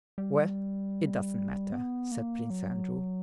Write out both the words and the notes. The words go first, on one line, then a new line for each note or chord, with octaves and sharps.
"Well, it doesn't matter," said Prince Andrew.
G3
B3
A#3
F#3